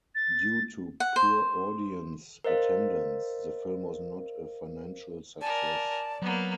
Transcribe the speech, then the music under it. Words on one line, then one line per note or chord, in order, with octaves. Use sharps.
Due to poor audience attendance, the film was not a financial success.
A6
F#5
C5
A#4 C5 D#5 F5
A#4 D5 G#5 A5
F#3 A#3 B3